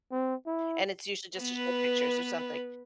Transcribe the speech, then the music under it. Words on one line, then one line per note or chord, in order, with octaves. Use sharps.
and it's usually just to show pictures or something.
C4
E4
B3 B4